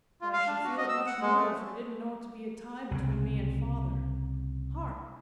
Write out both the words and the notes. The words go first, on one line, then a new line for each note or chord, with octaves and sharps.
But I should feel it much more, if I didn't know it to be a tie between me and father.--Hark!
F4
F5
D4
F#4
D#5
E6
F#5
G#3
A3
C2 C#3